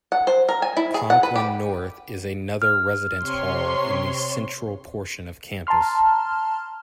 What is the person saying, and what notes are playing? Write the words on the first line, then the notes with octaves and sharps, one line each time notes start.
Conklin North is another residence hall in the central portion of campus.
F#5
C5
A#4
G#5
E4
G#4
F#5
B4
G4
F6
C3 C#5 C6
A5 A#5 C6 F6